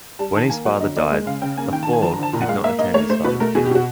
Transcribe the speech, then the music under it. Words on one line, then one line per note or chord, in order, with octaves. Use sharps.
When his father died, Laforgue did not attend his father's funeral.
G3 A5
D#3 A5
A#3 G#5
F#3 F#5
D3 D#5
A#3 D5
G#3 D#5
C#3 F5
C#3 G5
A#3 G#5
D#3 G5
A5
D#3
G#5
F3 A5
A#5
D3 A5
A#2 A#5
F#5
G#3 F5
A#3 E5
A#3 D#5
A3 C#5
A3 C5
B2 B4
A3 A#4
B2 G#4
G4
B2 F#4